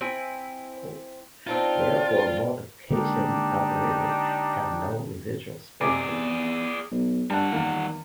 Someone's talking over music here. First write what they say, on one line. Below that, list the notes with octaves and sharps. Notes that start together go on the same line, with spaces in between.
Therefore, multiplication operators have no residual spectrum.
C4 E4 G#5
C4 D4 D#4 F4
D3 G#3 A#3 D4 D#4 G4
C3 G#4 D5 G#5 D6
E2
B1
G2 G3 F#5 A5
E2 D#3 A#3